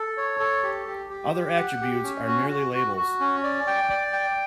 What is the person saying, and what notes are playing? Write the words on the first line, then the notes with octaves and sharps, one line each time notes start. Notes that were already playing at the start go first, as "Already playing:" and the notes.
Other attributes are merely labels.
Already playing: A4
C#5
A4
G4
G4
G4
G4
F#5
G4
C#4
F#4
F#4
F#4
F#4
C#4
D5
G5
D5
G5